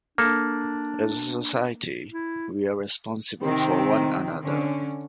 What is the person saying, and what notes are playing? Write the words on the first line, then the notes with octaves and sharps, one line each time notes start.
As a society we are responsible for one another.
A#3 D4 A4
E4
C3 D#3 C4
D3 C#4